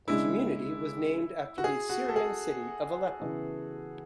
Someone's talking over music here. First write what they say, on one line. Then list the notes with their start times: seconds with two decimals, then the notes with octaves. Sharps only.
The community was named after the Syrian city of Aleppo.
0.07 C#3 G#3 D4 E4
1.58 F#4
1.64 G#4
1.89 F#4
2.08 A4
2.16 G#4
3.20 C#3 E3 B3